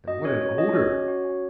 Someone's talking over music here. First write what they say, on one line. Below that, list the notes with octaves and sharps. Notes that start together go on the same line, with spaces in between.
And what an odour!
F#4 D#5
C#4 C#5
F#4 C#5
C#4 D#5
F#4 C#5
C#4
F#4
C#4